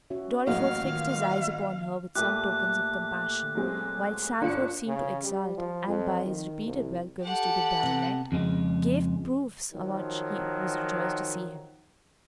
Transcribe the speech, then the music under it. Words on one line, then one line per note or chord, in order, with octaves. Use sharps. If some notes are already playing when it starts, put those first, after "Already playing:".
Dorriforth fixed his eyes upon her with some tokens of compassion, while Sandford seemed to exult, and by his repeated "Welcomes" to the Baronet, gave proofs how much he was rejoiced to see him.
C#4 F#4 E5
A1 F#3 A#3 F5
D#3 F4
A#2 A3 G4 F#6
F#3 G#3 C4
G1 D4 F4 C#7
C#3
G3
F3
F2
D#3
C2
G4 A4 F#5
C3 B3
F2 C#3 G#3
D#3 F3 F#3